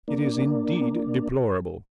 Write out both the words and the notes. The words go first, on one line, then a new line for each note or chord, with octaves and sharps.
It is indeed deplorable.
A#3 D4